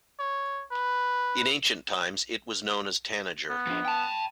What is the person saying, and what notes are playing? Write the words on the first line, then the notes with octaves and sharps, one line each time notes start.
In ancient times it was known as "Tanager".
C#5
B4
B3
F3 D4
G5 A5